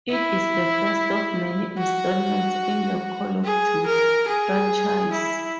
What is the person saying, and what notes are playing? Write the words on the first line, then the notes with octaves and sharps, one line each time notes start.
It is the first of many installments in the "Call of Duty" franchise.
E4
F#4
G#4
A#4
G#4
E4